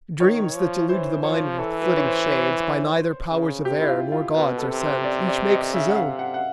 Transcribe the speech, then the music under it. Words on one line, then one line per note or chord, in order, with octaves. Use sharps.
Dreams that delude the mind with flitting shades By neither powers of air nor gods, are sent: Each makes his own!
D#3 C#5
F3
E3 C5
F3 C#5
E3 A4
B4
C#5
C5
C5
C#3
C3 G4
E4
F4
F4
B2 B4
A4
C3
C5
D5
D5
D#5
C#3 E5
F#5
F5
C3
F#5
F#5